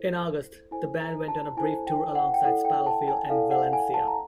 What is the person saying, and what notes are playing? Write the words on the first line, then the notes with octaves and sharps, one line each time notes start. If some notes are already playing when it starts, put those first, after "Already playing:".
In August, the band went on a brief tour alongside Spitalfield and Valencia.
Already playing: E4 A4 C5
E4 A4 C5 G#5
A#5
A5
E4 A4 C5 G#5
G5
F#5
G5
E4 A4 D5 F#5
G5
A5
G#5
E4 A4 D5 F5
F#5
G#5
A5
A#5